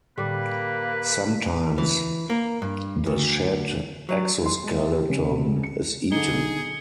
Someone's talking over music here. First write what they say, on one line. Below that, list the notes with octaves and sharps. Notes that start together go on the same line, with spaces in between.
Sometimes the shed exoskeleton is eaten.
A2 D3 G3 A#3 B4 D6
E3
A#3
G2
D2
F#3
C6
G#3
E5
G4
C#3
C3
C#2
C#7
D3 D#4 G#4 C#7 G7